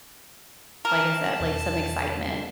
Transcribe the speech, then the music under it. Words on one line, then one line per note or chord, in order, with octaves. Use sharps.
like I said, like, some excitement
A#4 A5
E2 B2